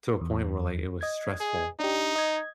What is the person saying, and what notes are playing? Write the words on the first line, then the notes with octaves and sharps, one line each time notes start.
to a point where, like, it was stressful,
E2
D#5 G#6
G#4
D4 D#4 G4
D#5 G#6